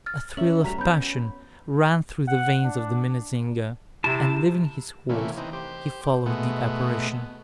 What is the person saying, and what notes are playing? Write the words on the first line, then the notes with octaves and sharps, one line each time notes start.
A thrill of passion ran through the veins of the minnesinger; and, leaving his horse, he followed the apparition.
F6 A6
C#4 A#4 E5 F#7
G3 A3 F#4 A#5 B6 F7
B3 C#4 B5 G6
F#5
D4
C3 E4 A5
C3 E3 A3 A#3 C#4
E3 C4 D#4
G4 C5
B2 G#3 A3 B3